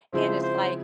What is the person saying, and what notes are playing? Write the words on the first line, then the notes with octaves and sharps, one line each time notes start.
and it's, like,
C#3 F3 G#3 C4 E4 C5
C5